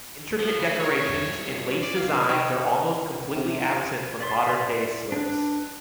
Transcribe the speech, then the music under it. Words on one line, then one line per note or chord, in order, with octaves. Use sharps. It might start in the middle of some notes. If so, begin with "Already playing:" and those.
Intricate decorations and lace designs are almost completely absent from modern day slips.
F3
C#3
C2 C#5
D5
B2 F5
D#3
C3
D5 E5 C6
D4 B4